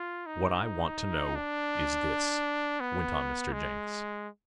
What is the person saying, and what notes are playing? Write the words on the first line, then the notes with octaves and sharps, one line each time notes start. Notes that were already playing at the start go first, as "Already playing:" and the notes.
"What I want to know is this," went on Mr. Jenks.
Already playing: F4
D#4
D4
B3
G#3